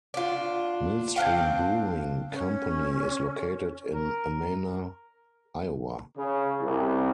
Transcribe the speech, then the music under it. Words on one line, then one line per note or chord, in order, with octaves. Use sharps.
Millstream Brewing Company is located in Amana, Iowa.
D4 F4
C4 D4 F5 G5
C#4
A#4
C#3
C2